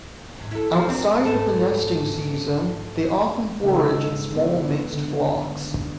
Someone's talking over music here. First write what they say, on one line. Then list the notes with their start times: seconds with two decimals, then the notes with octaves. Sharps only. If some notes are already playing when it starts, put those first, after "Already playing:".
Outside of the nesting season they often forage in small mixed flocks.
0.38 E2 G#2
0.51 E4 A4
0.76 D#3 F3 A3 A#3 C5
0.89 A#3 C4 D4 A#4
1.25 G#2 A3 A4 B4 A5
3.64 C#3 G#3 D#4 A4
4.36 B3
4.93 D3